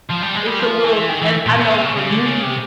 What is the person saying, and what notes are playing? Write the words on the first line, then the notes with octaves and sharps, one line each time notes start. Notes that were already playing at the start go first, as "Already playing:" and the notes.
it's a little as I know for me,
F3
G3
G#3
G3
F3
E3
D#3
E3
A#2
B2
C3
C#3
C#3
D3
C#3
C3